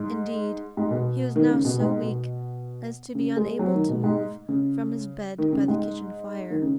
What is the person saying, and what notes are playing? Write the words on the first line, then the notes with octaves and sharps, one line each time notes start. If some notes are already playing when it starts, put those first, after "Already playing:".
Indeed, he was now so weak as to be unable to move from his bed by the kitchen fire.
Already playing: G#2
G#2
B2
D#3
C#3
B2
G#2
B2
C#3
G#3
F#3
D#3
B2
G#2
C#3
D#3
C#3
G#2
D#3
C#3